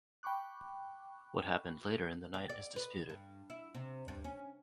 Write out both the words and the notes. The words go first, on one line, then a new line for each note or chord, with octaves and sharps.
What happened later in the night is disputed.
G5 B5 C#6 D6 F#6
G4
D5
B4
G2
E4
C3
G2
C#4